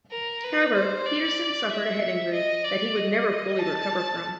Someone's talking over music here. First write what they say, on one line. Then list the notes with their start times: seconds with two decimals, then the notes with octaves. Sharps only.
However, Pettersson suffered a head injury that he would never fully recover from.
0.11 A#4
0.44 B4
0.75 C5
1.06 D5
1.70 E5
2.33 D#5
2.64 D5
2.96 D#5
3.59 A5